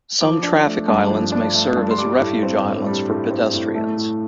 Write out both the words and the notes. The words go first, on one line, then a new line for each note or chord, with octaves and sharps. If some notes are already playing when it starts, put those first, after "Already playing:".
Some traffic islands may serve as refuge islands for pedestrians.
F3 D6
D4
A3
G2
F3
D4
A3
G2
C6
G3 D6
A2
C4
A2
G3
A2
C4
A2
A3
A2